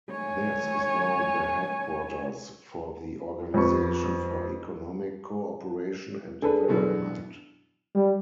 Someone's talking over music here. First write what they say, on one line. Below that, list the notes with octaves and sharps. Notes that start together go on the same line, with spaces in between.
This is now the headquarters for the Organisation for Economic Co-operation and Development.
C#5 G#5
F2 B3 C#6
D4 G#4 A4 B4
F#2 B2 E3
G3